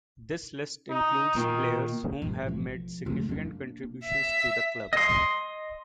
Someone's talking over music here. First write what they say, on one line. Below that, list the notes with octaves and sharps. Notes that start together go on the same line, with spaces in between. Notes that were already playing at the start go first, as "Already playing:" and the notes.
This list includes players whom have made significant contributions to the club.
D#4
A#2 D#3
A1
A1 F3
C#3 A3
A#3 D4
E5
D#5 C6